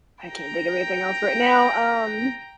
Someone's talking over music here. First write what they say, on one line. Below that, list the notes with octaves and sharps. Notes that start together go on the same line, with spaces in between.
I can't think of anything else right now. Um,
G5 A#5